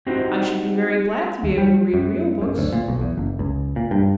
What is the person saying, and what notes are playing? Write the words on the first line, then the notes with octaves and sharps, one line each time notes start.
'I should be very glad to be able to read real books.
C4 D#4 E4 F#4 G4 C5
D#2
G3
F#2
F#2
D2
A#2
B1
E2
F#1
C#2
A#2
G2